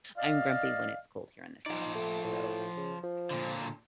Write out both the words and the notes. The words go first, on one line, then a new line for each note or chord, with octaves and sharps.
I'm grumpy when it's cold here in the South, s so
D5 D#5 F5
F3 D#4 D5
A3
A2
C#3
F3
A#2 D3